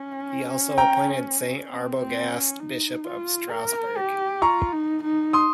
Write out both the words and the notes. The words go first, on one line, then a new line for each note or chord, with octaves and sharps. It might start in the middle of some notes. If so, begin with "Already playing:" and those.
He also appointed Saint Arbogast bishop of Strasbourg.
Already playing: C#4
G5 A#5
C4
C4
C#4
D#4
F4
A#4
G4
F4 A#5 C#6
D#4
D#4
C6 D#6